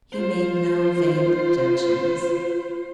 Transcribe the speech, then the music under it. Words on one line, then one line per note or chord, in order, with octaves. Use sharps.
He made no vain objections.
F4 C5